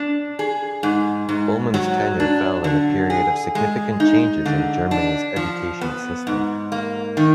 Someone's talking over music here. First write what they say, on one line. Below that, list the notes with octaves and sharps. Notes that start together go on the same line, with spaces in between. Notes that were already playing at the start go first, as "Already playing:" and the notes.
Bulmahn's tenure fell in a period of significant changes in Germany's education system.
Already playing: D4
G#4
G#2
G#2
F#3
D4
D3
G#4
G#3
D#4
D3
D4
F3
B3
G#2
A#3
D#3